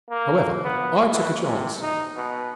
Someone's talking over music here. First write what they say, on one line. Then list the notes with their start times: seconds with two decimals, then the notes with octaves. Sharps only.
However, I took a chance.
0.10 A#3
0.64 B3
1.12 E3
1.44 C3
1.82 D#4
2.16 B2